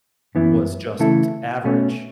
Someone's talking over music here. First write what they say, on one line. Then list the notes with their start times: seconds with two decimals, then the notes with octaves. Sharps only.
was just average,
0.35 F#2 E3 B3 E4
0.99 C#3 E3 A3 E4 A4
1.64 B2 A3 C#4